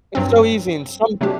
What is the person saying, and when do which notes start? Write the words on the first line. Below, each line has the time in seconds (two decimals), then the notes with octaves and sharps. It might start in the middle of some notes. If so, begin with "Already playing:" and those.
It's so easy and some
0.15 G2 F#3 C4
1.21 C3 F#3 A3 D4 G4